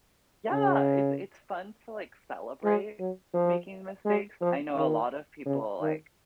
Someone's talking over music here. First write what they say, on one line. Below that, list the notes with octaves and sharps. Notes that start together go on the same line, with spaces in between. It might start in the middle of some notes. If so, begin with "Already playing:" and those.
Yeah, it's it's fun to, like, celebrate making mistakes, I know a lot of people, like,
C#3
G#3
F#3
F3
G#3
F3
D#3
C#3
D#3